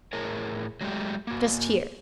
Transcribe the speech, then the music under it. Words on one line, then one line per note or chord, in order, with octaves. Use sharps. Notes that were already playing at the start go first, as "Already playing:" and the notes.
Just here.
A2 G#4 A#4 C#5
F#3 G#3 A3 G4
A#3 F#4